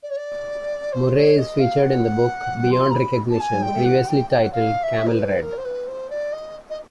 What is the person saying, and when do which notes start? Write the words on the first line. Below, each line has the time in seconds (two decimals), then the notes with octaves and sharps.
Murray is featured in the book "Beyond Recognition", previously titled "Camel Red".
0.03 D5
0.10 C#5
0.16 D5
0.92 C5
1.15 C#5
1.37 D#5
1.59 F5
1.82 F#5
2.72 C6
2.90 A#5
2.94 B5
3.30 A5
3.40 G#5
3.62 G5
3.85 F#5
4.07 G5
4.30 G5
4.42 F#5
4.52 F5
4.83 E5
5.06 A#4
5.12 B4
5.42 A#4
5.57 C5
5.64 B4
5.87 C5
6.10 D5
6.32 D#5
6.70 D#5